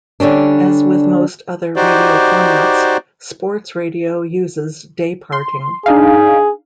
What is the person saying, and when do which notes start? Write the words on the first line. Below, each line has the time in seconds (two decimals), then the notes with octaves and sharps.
As with most other radio formats, sports radio uses dayparting.
0.20 D3 G3 C#4 D4
1.76 D#4 F#4 G4 C5 D5
5.32 C6
5.86 D4 D#4 G#4 F5